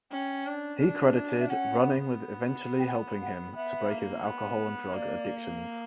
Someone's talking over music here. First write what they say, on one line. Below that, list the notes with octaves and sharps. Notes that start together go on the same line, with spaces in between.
He credited running with eventually helping him to break his alcohol and drug addictions.
C#4 G5
D4
D4
D5
E5
C#4 F#5
B3
G5
F#5
F#5
B3 E5
A#3
B3
A#3 D5